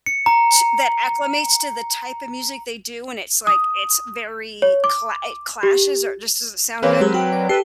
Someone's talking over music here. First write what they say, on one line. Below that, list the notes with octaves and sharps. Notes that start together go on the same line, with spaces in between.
to that acclimates to the type of music they do, and it's, like, it's very cla it clashes or just doesn't sound good,
C#7
A#5
D#6
C#5
D6
G4
C#3 E3 A#3 C4 A#4 B4 C#5
F#3 G#3 G4 G#4
F#4 G5
D5
G4 A4 B4 C7